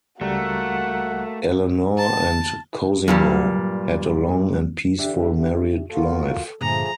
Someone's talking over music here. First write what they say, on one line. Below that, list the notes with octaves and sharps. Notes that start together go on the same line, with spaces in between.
Eleanor and Cosimo had a long and peaceful married life.
C#2 G3 A3 A#3 F#4 F#5 A#5
A5
G2 A#2 F#3 G3
D3 E3 D4 G4 E5
A#3 F4 F#4 A4
G2 A#2 D3 F3 A3 G#4 A#5